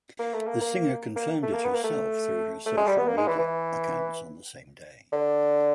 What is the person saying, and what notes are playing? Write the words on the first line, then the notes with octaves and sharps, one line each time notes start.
The singer confirmed it herself through her social media accounts on the same day.
A#3
A3
A#3
A#3
A#3
A3
A#3
B3
A#3
A3
A3
G#3
G3
B3
A#3
G#3
E3
E3
D3